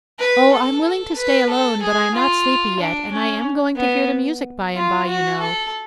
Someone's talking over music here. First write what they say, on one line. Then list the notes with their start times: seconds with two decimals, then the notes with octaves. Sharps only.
"Oh, I'm willing to stay alone; but I am not sleepy yet, and I am going to hear the music by and by, you know."
0.20 B4
0.52 A4
0.84 A4
1.17 B4
1.50 A4
1.82 G#4
2.15 F4
2.80 D4
3.12 C#4
3.77 B3
4.75 F4
5.07 F#4
5.40 A4